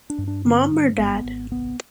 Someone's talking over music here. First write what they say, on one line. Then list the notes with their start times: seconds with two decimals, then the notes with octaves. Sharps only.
Mom or Dad?
0.10 D4
0.18 G2
0.28 D4
0.45 D3 C4
0.72 G2
0.98 G#1 B3
1.24 G#1
1.51 C2 B3